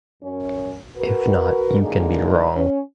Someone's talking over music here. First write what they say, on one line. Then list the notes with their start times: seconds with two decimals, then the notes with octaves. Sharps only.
If not, you can be wrong.
0.23 F#2 C#4
0.96 F#4 A#4 B4
1.81 F#2 D3 G#3 A#3 D#4 G#4
2.55 C#4